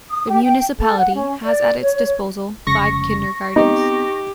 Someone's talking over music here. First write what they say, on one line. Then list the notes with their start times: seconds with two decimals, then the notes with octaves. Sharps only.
The municipality has at its disposal five kindergartens.
0.09 D#6
0.29 G4
0.43 G5
0.79 A4
0.97 F#5
1.15 C#4
1.43 D5
1.81 C#5
2.67 F1 C#3 G#3 C#6 A#6
3.56 B3 C4 D#4 G4